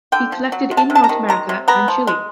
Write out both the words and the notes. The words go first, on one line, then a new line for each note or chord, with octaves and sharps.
He collected in North America and Chile.
D3 G5
F3
F#3
C3
A5
C3
A5
A#5
D#3
G#3 A#5
C3
B3 A#5
F3
G#3